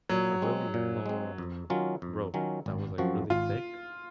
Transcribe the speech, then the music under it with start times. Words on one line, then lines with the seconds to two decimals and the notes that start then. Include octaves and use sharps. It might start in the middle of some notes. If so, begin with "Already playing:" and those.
a really long rope that was, like, really thick,
0.09 A#2 F#3
0.42 G#3 C4
0.74 A#2
1.06 G#3 C4
1.38 F2
1.70 D#3 F#3 C#4 F4
2.02 F2
2.34 D#3 F#3 C#4 F4
2.66 G#1
2.98 F#2 F3 C4 F#4
3.30 G#1 F4